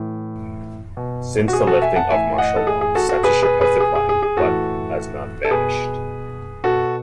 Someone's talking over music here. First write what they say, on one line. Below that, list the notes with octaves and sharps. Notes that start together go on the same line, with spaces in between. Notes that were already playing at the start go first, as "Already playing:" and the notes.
Since the lifting of martial law, censorship has declined but has not vanished.
Already playing: A2 E3
B2
F#4
G#4
F#4 A4
E5 G#5
F#5 A5
A2 E3 E5 G#5
D#5 F#5
A4
G#4
G#4
F#4 A4
F#4 A4
B2 G#4 B4
G#4 B4
G#4 B4
G#4
G#4
G#4
G#4
A2 E3 F#4 A4
A4
B2 G#4 B4
B2 F#4 A4